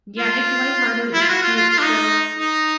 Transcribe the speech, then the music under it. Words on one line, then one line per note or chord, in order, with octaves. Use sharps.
Yeah, it's light-hearted, it's cute still,
F4
E4
F4
F#4
F4
F4
F4
D4
D#4
D#4